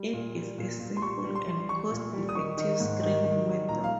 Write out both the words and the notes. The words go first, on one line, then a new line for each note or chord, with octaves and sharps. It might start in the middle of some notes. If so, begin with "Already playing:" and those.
It is a simple and cost effective screening method.
Already playing: G3
A#2
G3
A#2
A#2
C6
G3 C#6
G3
C6
G3
G3 C#6
A#2
G3
D#6
D#3 C#6
D#3
G#2
D#3
D#3
G3
A#2 A#5
F5